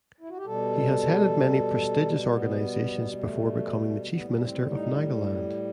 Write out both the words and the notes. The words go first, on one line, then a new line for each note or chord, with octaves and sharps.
He had headed many prestigious organizations before becoming the Chief Minister of Nagaland.
E4
F#4
G4
B2 G3 A4
B3
A3
A2 G3 B3
B3
C4
D#4